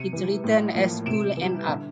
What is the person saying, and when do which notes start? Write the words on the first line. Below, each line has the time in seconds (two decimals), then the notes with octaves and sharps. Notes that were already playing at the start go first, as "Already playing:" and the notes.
It returned as School nr.
Already playing: C3 C#7 D#7
0.13 E3 G3
0.44 A2
0.75 F3 A#3
1.06 C3 D7 E7
1.37 E3 G3
1.69 D3